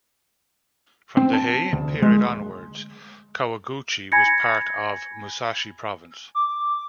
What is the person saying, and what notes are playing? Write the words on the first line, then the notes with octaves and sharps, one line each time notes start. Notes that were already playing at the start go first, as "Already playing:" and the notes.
From the Heian period onwards, Kawaguchi was part of Musashi Province.
C4
A5
D2
G#3
G#5 B5 G#6 A#6 C#7
D6